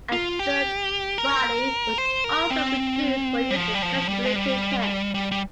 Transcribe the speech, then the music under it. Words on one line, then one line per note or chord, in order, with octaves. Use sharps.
A third body was also produced for use in flexibility tests.
F4
G4
A#4
C5
A#4
C4
G3
F3
G3
F3
G3
G#3
G3
G3
G3